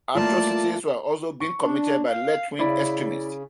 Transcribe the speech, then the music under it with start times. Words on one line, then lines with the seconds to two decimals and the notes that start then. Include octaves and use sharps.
Atrocities were also being committed by left-wing extremists.
0.15 A3 A#3 F4 D5 A5
1.40 C#6
1.63 D4
2.09 F5
2.59 C#3 E4 D5 B5